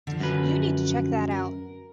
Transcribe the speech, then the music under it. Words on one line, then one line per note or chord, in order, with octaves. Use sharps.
You need to check that out.
D3 F3
F#2 B4
A#4